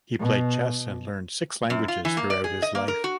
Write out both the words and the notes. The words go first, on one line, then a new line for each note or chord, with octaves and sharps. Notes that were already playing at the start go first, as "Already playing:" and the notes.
He played chess and learned six languages throughout his life.
B2
F#2
F4
E3
A#3
D5
G#4
D#5
A#3
A#4
F#4